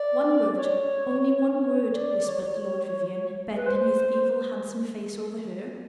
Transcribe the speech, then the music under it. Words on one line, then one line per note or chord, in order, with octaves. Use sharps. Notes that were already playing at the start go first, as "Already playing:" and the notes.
"One word--only one word," whispered Lord Vivianne, bending his evil, handsome face over her.
Already playing: D5
C#5
C#5
C#5
D5
C#5
B4
C5